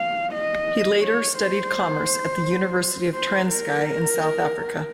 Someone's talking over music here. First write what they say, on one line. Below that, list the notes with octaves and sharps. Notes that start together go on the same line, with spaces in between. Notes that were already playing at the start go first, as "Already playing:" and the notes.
He later studied commerce at the University of Transkei in South Africa.
Already playing: F5
D#5
C#5
C5
C5
A#4